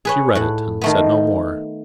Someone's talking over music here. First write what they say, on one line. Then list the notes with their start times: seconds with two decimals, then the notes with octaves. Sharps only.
She read it, and said no more.
0.05 G#4 B4 C#5
0.35 A2 F#5
0.81 D#3 A3 B3